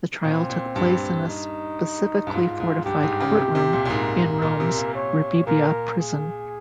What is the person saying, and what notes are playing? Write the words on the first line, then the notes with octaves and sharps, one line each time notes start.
The trial took place in a specially fortified courtroom in Rome's Rebibbia prison.
A#2 C4
A#2
G2
D#4
G2
G#2 F4
G#2
G2 G4
G#2
C#3
C3
C3
A#2
A#2
G#2 A#4
A#2
C3
A#2
C#5
A#2 A#4
G#4